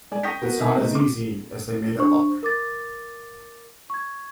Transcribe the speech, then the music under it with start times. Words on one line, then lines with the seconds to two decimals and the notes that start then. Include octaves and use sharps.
It's not as easy as they made it look.
0.11 G#3 D5 G#5
0.23 G5 C#6 D#6 G6 A#6 B6
0.42 B3 F#4 A#4
0.58 B3 D#4 A#4 E5 G#5
0.77 A3 B3 C4 D#4
0.95 D6
1.98 D4 C5 C#6
2.43 A#4 D6 A6
3.90 C#6 G#6